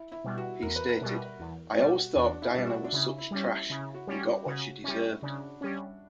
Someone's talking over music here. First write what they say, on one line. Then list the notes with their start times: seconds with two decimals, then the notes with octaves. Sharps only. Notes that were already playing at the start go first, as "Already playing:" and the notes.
He stated: I always thought Diana was such trash and got what she deserved.
Already playing: E4
0.12 E4
0.24 B2 G3
0.38 F#4
0.62 E2 A#4
0.76 B4
0.89 A#4
1.01 B2 G3
1.40 E2
1.78 B2 G3 F#4
2.16 E2 D4
2.42 E4
2.55 B2 G3
2.67 F#4
2.84 D4
2.93 C#3 E4
3.18 E4
3.31 G3 C#4
3.43 E4
3.69 C#3 E4
3.94 F#4
4.07 G3 C#4
4.20 G4
4.46 C#3 F#4
4.84 G3 C#4 E4
5.22 C#3 D4
5.61 G3 C#4